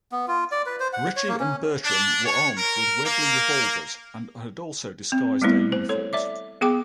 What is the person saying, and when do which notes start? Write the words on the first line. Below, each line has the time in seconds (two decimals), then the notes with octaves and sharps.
Ritchie and Bertram were armed with Webley revolvers and had also disguised their uniforms.
0.12 B3
0.28 F4
0.52 D5
0.66 B4
0.80 C5
0.93 F#5
1.16 C#5
1.28 A#3
1.40 C#4
1.83 D4
2.24 C#5
2.56 A#4
3.04 A#3
5.12 C4
5.42 G3 A3 B3 E4
5.72 C5
5.89 A4 C#5
6.13 D5 E5 D6
6.61 B3 G#4 G5 D6